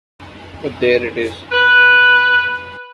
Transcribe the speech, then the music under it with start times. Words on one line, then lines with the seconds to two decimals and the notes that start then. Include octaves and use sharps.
But there it is.
1.52 B4